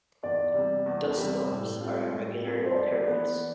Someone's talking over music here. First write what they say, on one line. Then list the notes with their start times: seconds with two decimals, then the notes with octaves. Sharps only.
Dust storms are a regular occurrence.
0.23 E2 D5
0.54 C3 G3
0.86 E2
1.17 C3 G3
1.49 A2
1.80 G3 C4 F4 A4
2.12 A2
2.44 G3 C4 F4 A4
2.66 C5
2.74 F2 D5
3.06 E3 B3